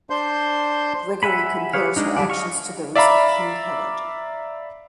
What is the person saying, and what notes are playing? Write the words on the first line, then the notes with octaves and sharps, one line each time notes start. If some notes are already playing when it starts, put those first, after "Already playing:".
Gregory compares her actions to those of King Herod.
D4 C5 C6 G6
E5 F#5 G#5 B5
G4 G#4 B4 C#5 F5
G#3 D4 D#4
F#3 G3 F#4 D5
D#5 F5 C#6
D5 E5 F5 A#5 B5